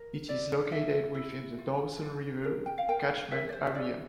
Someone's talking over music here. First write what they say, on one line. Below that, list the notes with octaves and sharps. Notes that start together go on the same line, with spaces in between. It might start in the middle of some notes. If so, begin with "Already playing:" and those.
It is located within the Dawson River catchment area.
Already playing: A#4
E4 D5
G4 E5
E4
F4
F4
A#4
G5
F5
A#4 G5
F5
A#4 E5
D5
C5
E5
E4 D5